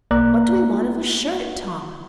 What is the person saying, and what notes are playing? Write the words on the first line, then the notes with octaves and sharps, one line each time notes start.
"What do we want of a shirt, Tom?"
B1 A#3 D5 A#5 F#6